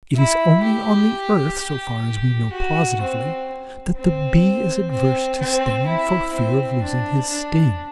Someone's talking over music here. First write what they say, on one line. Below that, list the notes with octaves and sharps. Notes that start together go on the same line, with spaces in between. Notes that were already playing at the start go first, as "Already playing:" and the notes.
It is only on the earth, so far as we know positively, that the bee is averse to stinging, for fear of losing his sting.
E4
G4
G4
F#4
C4
C4
C4
C4
E4
C4
D4
D4